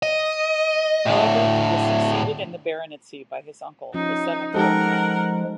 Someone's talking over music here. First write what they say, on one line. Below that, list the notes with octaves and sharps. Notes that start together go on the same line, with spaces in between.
However, he was succeeded in the baronetcy by his uncle, the seventh Baronet.
D#5
A2 D3
F3 C#4 D#4
F3 G#3 D#4 G4 A4 A#4 F#5